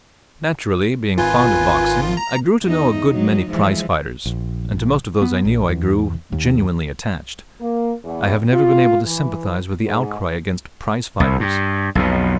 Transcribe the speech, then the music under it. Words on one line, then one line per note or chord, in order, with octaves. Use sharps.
Naturally, being fond of boxing, I grew to know a good many prize-fighters, and to most of those I knew I grew genuinely attached. I have never been able to sympathize with the outcry against prize-fighters.
G#1 F4 B4 G#5
A#5
E2 D#4
F#3 D#4
E3 F3 G#3
A#1
B3
A#1
E2
D#2
A#3
E2
F4
E3
G#2
C2
G2
B1 F2 B2